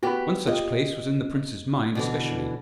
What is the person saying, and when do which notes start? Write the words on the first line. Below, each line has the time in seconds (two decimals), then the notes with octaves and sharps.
One such place was in the prince's mind especially.
0.03 B3 F#4 G4 B4
0.47 F4 G4 D#5
1.95 B2 D3 E3